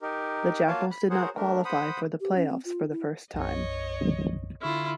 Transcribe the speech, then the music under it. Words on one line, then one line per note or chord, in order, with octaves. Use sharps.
The Jackals did not qualify for the playoffs for the first time.
D#4 G4 A#4
A#3 F4 F#4 C#5 F5 A5
B5
F#4 G#4 A#4 C5 C#5 F#5
A3 D4 A#4
C5 F#5 B5 D#6
G4
C#4
C4
F4
E4
B1 F#2 C#5 D#5
D3 E4 F4 C#6 F6